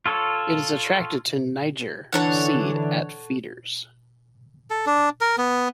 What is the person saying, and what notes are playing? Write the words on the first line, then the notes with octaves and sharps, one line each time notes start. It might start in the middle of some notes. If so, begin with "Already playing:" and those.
It is attracted to niger seed at feeders.
F4 A4 C#5
D3 E3 D4 A4 C#5 F#5
A4
D4
A#4
B3